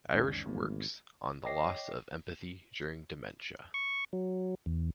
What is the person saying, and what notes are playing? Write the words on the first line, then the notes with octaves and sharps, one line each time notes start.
Irish works on the loss of empathy during dementia.
C2 F2 G#2 D#3 C#4 D4
G#1 E2 G3 A3 A#3
C#5 D#5 G5 D6 A#6 C7
C#6
F#3
E2